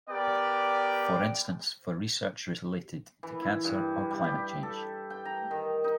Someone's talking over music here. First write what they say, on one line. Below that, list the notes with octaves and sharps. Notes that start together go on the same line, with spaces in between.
For instance for research related to cancer, or climate change.
B3 G4 A#4 D5 G5
E3
E4
G2
G3
G4
A4
G5
A#5
D#3
D#4